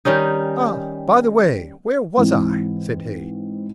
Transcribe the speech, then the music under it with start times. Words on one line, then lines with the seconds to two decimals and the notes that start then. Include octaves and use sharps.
"Ah, by the way, where was I?" said he.
0.05 D#3 G3 C#4 D#4
2.17 G#2 E3 C4